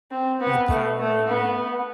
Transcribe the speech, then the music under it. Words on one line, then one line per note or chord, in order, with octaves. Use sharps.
the power of, um,
C4
B3
A3
A3
B3